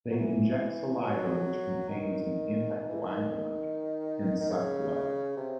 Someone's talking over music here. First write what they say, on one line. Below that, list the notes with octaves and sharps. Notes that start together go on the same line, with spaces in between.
They inject saliva which contains an anticoagulant and suck blood.
F#3
E3
F#3
D#3
D#3
E3
D#3
D#3
C#3
C3